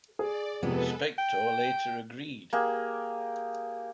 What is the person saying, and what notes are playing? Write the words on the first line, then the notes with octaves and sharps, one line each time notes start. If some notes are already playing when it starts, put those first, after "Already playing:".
Spector later agreed.
G#4 D5
F2 C3 G#3 B3 A4 B4
G5
A#3 G4 G#4